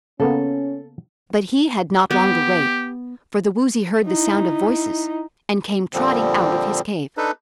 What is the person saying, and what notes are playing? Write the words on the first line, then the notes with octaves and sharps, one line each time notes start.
But he had not long to wait, for the Woozy heard the sound of voices and came trotting out of his cave.
C#3 A#3 B3 C#4 A4
B3 G4
D#4 E4
A#2 D3 F3 G3 C4
D4 D#4 A4 B4